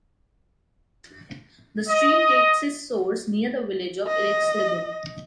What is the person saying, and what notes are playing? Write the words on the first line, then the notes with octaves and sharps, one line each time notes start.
The stream takes its source near the village of Irxleben.
D#5
D#5